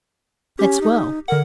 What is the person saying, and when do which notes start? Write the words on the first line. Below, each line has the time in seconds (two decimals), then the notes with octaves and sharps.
"That's well."
0.59 C#4 G4
0.81 D#4
1.28 D3 A#4 F#5